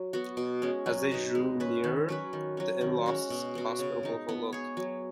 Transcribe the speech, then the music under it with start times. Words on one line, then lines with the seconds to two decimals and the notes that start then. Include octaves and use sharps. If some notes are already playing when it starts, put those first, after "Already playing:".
As they drew nearer, the inn lost its hospitable look.
Already playing: F#3
0.13 B3 F#4
0.37 B2
0.62 G#3 C#4
0.86 F#3
1.11 D#4 B4 D#5
1.35 G#3
1.60 C#4 B4
1.84 D#3
2.09 F#3 C#4 B4
2.33 D#3
2.57 F#3 C#4
2.81 D#3
3.06 G#3 C#4 F#4
3.30 B2
3.55 B3 F#4
3.79 C#3
4.03 G#3 D#4
4.29 B3
4.53 G#4 C#5
4.77 F#3